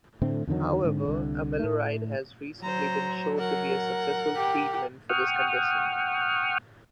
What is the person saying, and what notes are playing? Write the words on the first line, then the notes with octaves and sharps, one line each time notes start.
However, amiloride has recently been shown to be a successful treatment for this condition.
A2 D3 A3 C4
E2 D3 D#3 F#3
G#2 D3 C4
C2 D3
A2 A3
F#3 C5 A#5
A#4 F#5
G4
F#5 G5 C#6 D#6 F6